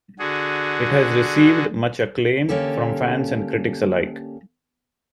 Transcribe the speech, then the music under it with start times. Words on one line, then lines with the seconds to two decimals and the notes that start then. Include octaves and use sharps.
It has received much acclaim from fans and critics alike.
0.19 D3 F#4 G#4
2.49 D3 A#3 C#4 G4 A4